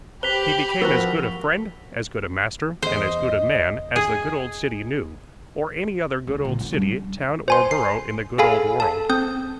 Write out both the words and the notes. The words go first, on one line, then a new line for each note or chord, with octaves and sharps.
He became as good a friend, as good a master, and as good a man as the good old City knew, or any other good old city, town, or borough in the good old world.
G4 C5 B5 B6 F7 G7
F3 F#4 A#4 C5
E2 C5 D#5
G#4
C#2
A#2 D3
E3 A3
G3 D4
C5 G#5 C6
C7
G#4 A4 F5 G#5 B5
A4 A5
C4 D#6 G6